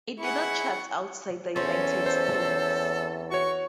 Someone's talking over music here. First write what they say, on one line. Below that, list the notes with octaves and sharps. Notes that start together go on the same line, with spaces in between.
It did not chart outside the United States.
E4 G#4 F#5 C#6
E2 C4 C#4 A4
C5
F#4 C#5 C#6